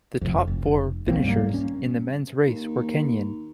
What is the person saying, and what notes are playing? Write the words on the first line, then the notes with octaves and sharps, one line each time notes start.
The top four finishers in the men's race were Kenyan.
F1 C2 F2
F1
B1 F#3 A#3 C4
G#2 G3 A3 A#3
C#4
D#2